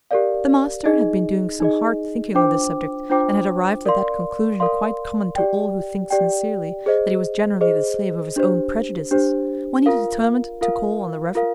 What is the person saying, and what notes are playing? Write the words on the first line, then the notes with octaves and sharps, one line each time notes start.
The master had been doing some hard thinking on this subject, and had arrived at that conclusion quite common to all who think sincerely, that he was generally the slave of his own prejudices, when he determined to call on the Rev.
G4 A#4 D5 F5
D#4 G#4 D#5
D#4 G#4 D#5
D4 F4 C5 G5 D6
D4 F4 C5 G5 D6
A#4 D5 F5 C6
A#4 D5 F5 C6
G4 D5 G5
G4 D5 G5
G#4 C5 D#5
G#4 C5 D#5
D4 G4 C5
D4 G4 C5
F4 A#4 F5
F4 A#4 F5
F4 A#4 F5